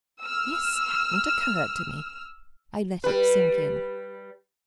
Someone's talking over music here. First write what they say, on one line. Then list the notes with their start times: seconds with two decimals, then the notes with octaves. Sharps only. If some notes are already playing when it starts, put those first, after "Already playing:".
This hadn't occurred to me; I let it sink in.
0.22 E6 F6
3.04 G3 B4